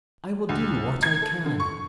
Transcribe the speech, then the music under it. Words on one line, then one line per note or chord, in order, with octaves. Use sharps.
I will do what I can.
D2
G#6
A4
D3
C#6